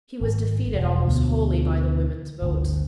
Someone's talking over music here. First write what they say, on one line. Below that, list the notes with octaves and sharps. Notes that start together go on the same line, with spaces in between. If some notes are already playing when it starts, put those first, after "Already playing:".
He was defeated almost wholly by the women's votes.
G#1
E1
D2 B2
G1 D2